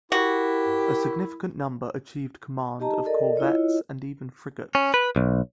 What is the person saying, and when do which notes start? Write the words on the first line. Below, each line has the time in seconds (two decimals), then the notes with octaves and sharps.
A significant number achieved command of Corvettes and even Frigates.
0.12 E4 F#4 G4 A#4
2.79 D#4 G4 D#5 A5 A#5
3.06 A4 A#4 D5 D#5
3.36 E4 F4 C#5 D#5
4.75 C#4
4.94 B4
5.16 B1